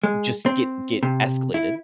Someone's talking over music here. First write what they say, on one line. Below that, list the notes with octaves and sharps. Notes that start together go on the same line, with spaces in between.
just get get escalated,
G#3
C4
C3
E4